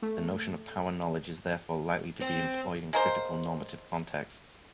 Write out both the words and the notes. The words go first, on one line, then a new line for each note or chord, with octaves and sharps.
The notion of power-knowledge is therefore likely to be employed in critical, normative contexts.
A3
C4
G#3 A#3 C5